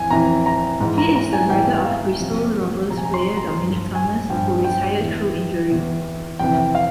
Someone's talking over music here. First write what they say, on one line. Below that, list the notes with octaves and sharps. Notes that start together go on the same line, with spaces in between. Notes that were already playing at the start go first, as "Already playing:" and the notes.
He is the brother of Bristol Rovers player Dominic Thomas who retired through injury.
Already playing: F2 E3 G#5
F2 E3 A#5
A#5
G#2 E3
A#5
A#5
G#5
G#2 E3 G5
F5
F2 C3 F3
F2 C3 F3 A#5
G#5
A#5
C6
A#5
G2 F3
G#5
G2 F3 G5
G5
E2 E3
E2 E3
F2 C3 E3 G5
F5